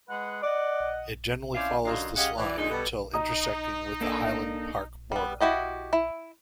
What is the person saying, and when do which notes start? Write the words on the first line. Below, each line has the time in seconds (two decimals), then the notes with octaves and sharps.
It generally follows this line until intersecting with the Highland Park border.
0.09 G#3 B4 F#5
0.43 D5 D#5 F#5
1.55 C4 C#4 E4 D5 F5
1.84 F#2 D3 D#4 F4 F5
2.16 G#3 C#4 G4 D#5 F5 F#5
2.38 E3 D5
2.57 A#2 D3 G#3 D#4
2.70 B2 G3 A4
3.14 D#4 D#5 A#5 D#6
4.01 A#3 D4 A4
5.12 G3 B3
5.40 E4 F#4 G4 D#5
5.93 E4